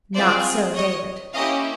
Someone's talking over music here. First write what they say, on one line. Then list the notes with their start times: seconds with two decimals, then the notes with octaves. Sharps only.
Not so David.
0.15 C4 F4 G#4 C5 D5
0.74 C#5 D#5
1.34 A#3 C#4 E4 G4 D#5 F5